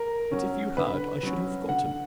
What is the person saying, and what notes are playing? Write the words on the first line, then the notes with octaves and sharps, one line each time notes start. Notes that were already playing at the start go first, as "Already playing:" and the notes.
But if you had I should have forgotten.
Already playing: A#4
F#3 C#4
D3 B4
F#3 C#4
D3 F#5